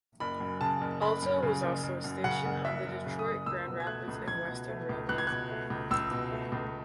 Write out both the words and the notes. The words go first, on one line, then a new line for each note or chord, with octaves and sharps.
Alto was also a station on the Detroit, Grand Rapids and Western Railroad.
F#1 B5
F#2
C#3 A5
F#1
F#1 B5
F#2
C#3
F#1
F#1
F#2
C#3 F#5
F#1
F#1 E5
F#2
C#3
D#6
F#1
C#2 E6
B2
G#6
A3 F#6
C#2
C#2 G#6
B2
A3
C#2
C#2 F#6
G#6
B2 F#6
A3
C#2
C#2 E6
B2
A3
C#2